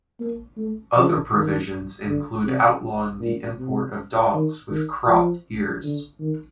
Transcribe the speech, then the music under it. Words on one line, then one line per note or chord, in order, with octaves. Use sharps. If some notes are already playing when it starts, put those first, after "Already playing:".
Other provisions include outlawing the import of dogs with "cropped" ears.
A#3
A3
F3
D#3
D3
C3
A#2
C3
D#3
D#3
F3
D3
D#3